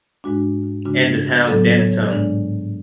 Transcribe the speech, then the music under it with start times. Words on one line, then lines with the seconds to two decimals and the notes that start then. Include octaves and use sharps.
And the town, Denton.
0.24 G#2 G#3 D4 F#4
0.85 C#3 G#3 D4 F#4
1.47 A2 F#3 B3 A4
1.78 C#5
2.08 G#2 G#3 D4 D5